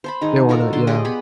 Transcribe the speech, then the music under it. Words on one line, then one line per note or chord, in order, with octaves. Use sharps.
they wanna yeah.
C5 A5 B5
D#3 D#4 G#4 D#5
F4 F#4 A4 A#4
D3 A5 C6
G4 G#4 D5 D#5
B3 G#4 B5